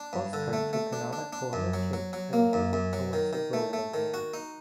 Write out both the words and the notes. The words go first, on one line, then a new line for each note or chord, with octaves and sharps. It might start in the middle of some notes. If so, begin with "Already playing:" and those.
Oscar took another corner kick and hit it towards the goal again.
Already playing: D4
G2
D3
A3
A3
D4
D4
D4
F#2
F#3
F#3
F#3
A#3
F#2
F#2
F#3
D#3
D#3
A3
A3
D#3
F#4
D#4